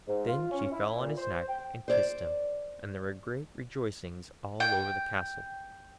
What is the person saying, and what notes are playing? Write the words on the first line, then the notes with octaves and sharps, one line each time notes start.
Then she fell on his neck and kissed him, and there were great rejoicings all over the castle.
G#2
F4
C#4
E4
A#2
C5
G5
C5 D5
G5